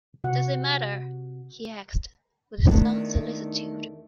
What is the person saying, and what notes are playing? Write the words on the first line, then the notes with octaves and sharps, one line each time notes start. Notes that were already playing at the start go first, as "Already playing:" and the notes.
"Does it matter," he asked, with some solicitude.
C3 F#4 F#5
E2 D#3 A3 D4